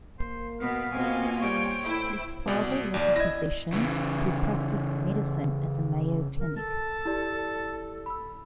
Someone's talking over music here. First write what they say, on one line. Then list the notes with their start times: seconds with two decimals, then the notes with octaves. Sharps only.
His father was a physician who practiced medicine at the Mayo Clinic.
0.19 A#3 C5
0.60 B2 B3 F5
0.93 B2 A#3 C4 F4 G#5
1.40 G3 C5 C#5 G5
1.84 A2 E4
2.47 C2 B2 D5
2.94 A#1 D#2 D5
3.16 E4 D#5 G#6 A#6
3.73 C#3 E3
6.38 A#4
6.57 A4 A5
7.05 E4 G4 D5
8.06 B5 E6